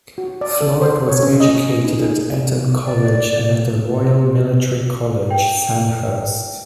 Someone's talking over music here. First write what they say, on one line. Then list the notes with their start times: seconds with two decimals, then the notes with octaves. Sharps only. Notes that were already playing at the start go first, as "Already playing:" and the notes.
Floyd was educated at Eton College and at the Royal Military College, Sandhurst.
0.18 F#4
0.41 D5
0.61 A4
0.82 C5
1.08 C#5
1.23 C#4
1.40 D#5
1.85 D#4
2.00 G#4
2.84 D5
5.31 G5